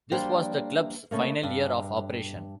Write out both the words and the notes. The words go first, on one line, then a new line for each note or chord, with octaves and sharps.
This was the club's final year of operation.
G3 A#3 D4 C5 G5
C#3 A3 A#3
G2